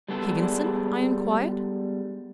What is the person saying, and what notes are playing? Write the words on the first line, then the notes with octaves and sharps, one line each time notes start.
'Higginson?' I inquired.
G3 G#3 B3 D4 G#4 A4